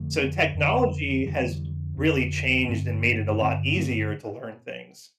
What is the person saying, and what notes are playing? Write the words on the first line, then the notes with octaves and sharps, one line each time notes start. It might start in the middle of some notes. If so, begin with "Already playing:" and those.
So, technology has really changed and made it a lot easier to learn things.
Already playing: F2 D3 F3 A3
F2 D3
F2 D3 E3 G3
F2 D3
G2 D3 A3 C4
A#3 D4
D4
G2 D3 A3 C4
A3 C4